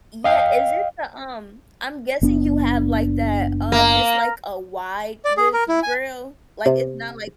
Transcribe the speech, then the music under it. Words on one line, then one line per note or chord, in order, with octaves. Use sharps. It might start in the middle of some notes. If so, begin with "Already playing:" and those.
Yeah, is it the, um I'm guessing you have, like, that, um, it's like a wide-width grill? Like, it's not like
D#5 F5 G5
F#1 B3 D4
A#3
D5
G#4
A#4
E4
G#5
C3